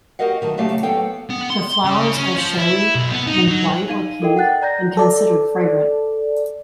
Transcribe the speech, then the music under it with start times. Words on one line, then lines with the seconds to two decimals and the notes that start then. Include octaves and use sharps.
The flowers are showy and white or pink, and considered fragrant.
0.19 F#4 G4 A#4 D#5 F5 F#5
0.41 A2 D#3 F#3 A5
0.58 C#3 F#3 A3 G4 F5 A5
0.83 F#3 B3 A4 F5 G5
1.30 B3
1.51 C6
1.85 C#3
2.17 C#4
2.37 F3
2.59 E4
2.95 B1
3.12 B3
3.27 D#4
3.48 F#3
3.89 D#4 F5 D#7
4.22 A4 A#4 D#5 G5
4.36 F#5 G5 F#6 A6
4.62 D5 A#5 G6 A#6
4.97 A4 D5